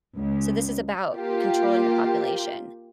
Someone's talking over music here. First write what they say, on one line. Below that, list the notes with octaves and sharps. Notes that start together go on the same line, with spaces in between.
So, this is about controlling the population.
C#2
A#3 F4 G4